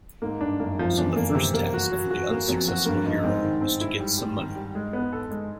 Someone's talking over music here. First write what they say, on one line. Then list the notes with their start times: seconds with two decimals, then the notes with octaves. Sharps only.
So the first task for the unsuccessful hero is to get some money.
0.22 G#2 A#3
0.41 G2 D4
0.60 F#2 A#3
0.79 F2 F3
0.98 E2 D4
1.16 A#3
1.35 C3
1.54 A#3
1.74 F#4
1.92 F#3
2.11 F#4
2.30 A#3
2.48 F2 F#3
2.68 F#4
2.86 G2 A#3
3.05 G2 D#4
3.23 G#2 C4
3.43 D#3
3.61 C4
3.81 E4
4.00 G3
4.18 G3
4.37 D#3
4.56 G3
4.75 G#3
4.93 B3
5.13 A4
5.31 G#3